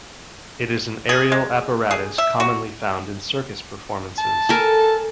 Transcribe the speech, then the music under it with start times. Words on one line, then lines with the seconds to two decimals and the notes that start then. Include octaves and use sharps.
It is an aerial apparatus commonly found in circus performances.
1.09 G#4
1.32 G#3
1.91 G#4
2.18 E5
2.40 F#4
4.18 A5
4.49 A4 A#4 G#5